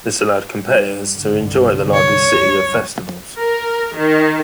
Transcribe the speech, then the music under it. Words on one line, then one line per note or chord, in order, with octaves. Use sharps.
This allowed competitors to enjoy the lively city of festivals.
G2 G3
C2 G2 D3
C#5
G1 C#2 F#2
A#4
D#3